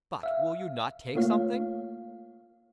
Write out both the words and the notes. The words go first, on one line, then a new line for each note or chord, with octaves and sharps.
But will you not take something?
E5 F5
A3 A#3 F4 C#5 F5